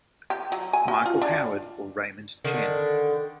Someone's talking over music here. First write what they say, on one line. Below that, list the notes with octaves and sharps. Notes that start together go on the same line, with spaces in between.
Michael Howard or Raymond Chen.
G4
F#3
G#5
F#4
F4
D4
D3 D#3 D4